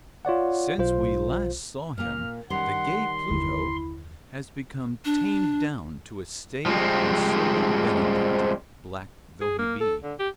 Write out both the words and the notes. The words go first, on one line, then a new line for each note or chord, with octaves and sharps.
Since we last saw him, the gay Pluto has become tamed down to a staid and sober Benedict--black though he be.
F4 C#5 D5 F#5
B1 F4 C5
A#2 A#3 F6
D#3 G3 C#4 F#5 C6
F#1 D#2 D3 E4
D4
F3 G3 G#3 C4
G#4
A#3
A4
D3
G4